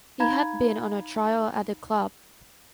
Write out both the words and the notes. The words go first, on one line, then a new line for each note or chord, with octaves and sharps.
He had been on trial at the club.
D#4 F5 A#5 B5 G#6